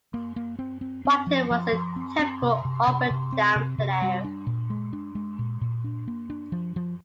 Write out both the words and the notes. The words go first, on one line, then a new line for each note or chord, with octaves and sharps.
Whiten was a typical up-and-down player.
A#3
A#3
C4
C4
C4
F3
F3
F3
C4
C4
C3
C3
C3
C3
C4
C3
C3
G3
D4
A#2
G#3
D4
G#3
A#2
A#2
D4
A#3
D4
F3
F3